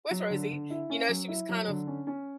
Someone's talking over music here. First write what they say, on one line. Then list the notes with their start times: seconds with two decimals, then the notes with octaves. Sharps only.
Where's Rosie?" You know, she was kind of,
0.11 F#3
0.30 D3
0.51 D3
0.70 E4
0.90 C#4
1.09 F#3
1.28 E4
1.49 F#3
1.68 D3
1.87 C#4
2.07 C#4